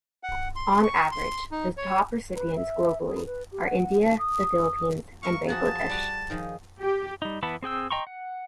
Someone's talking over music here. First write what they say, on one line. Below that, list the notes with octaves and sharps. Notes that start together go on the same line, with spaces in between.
On average, the top recipients globally are India, the Philippines, and Bangladesh.
F#5
C6
C#6
C6
D#4
C#5
B4
E5
G#4
B4
G4
F#5
A5
D#6
A#4 E5 F5 C#6
F3 F#4 G#4 A5
G3 F#4
D#3 F3 G#3
G4
G3 D#4
E3 B3 B4 A5
C4 G#4 G5 E6
D#5 G5 A#5 C6 C#6
F#5